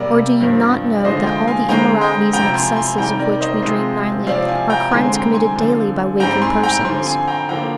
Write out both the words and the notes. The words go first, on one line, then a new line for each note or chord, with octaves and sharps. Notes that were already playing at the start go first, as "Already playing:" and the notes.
Or do you not know that all the immoralities and excesses of which we dream nightly are crimes committed daily by waking persons?
Already playing: C3 G3 A#3 A#4 D5
G2 F3 C4
D5
D3 F3 G#3 C5 D#5
F5
D#5 G5
F5 G#5
D3 G#3 C4 G5 A#5
D#5 G5
F2 C3 F3 G5 A#5
G#5 C6
G#5 C6
C3 D#3 G3 G5 A#5
A#4 D5
C5 D#5
C3 F3 G#3 C4 C5 D#5
C3 F3 C4 D5 F5
F5 G#5
G5 A#5
D3 G#3 C4 G#5 C6
G5 A#5
G#5 C6
D3 F3 C4
G#2 G3 C4 G5 A#5
G#5 C6
G5 A#5
D3 F3 C4 G#5 C6
G#5 C6
G5 A#5
D3 F3 A#3 G5 A#5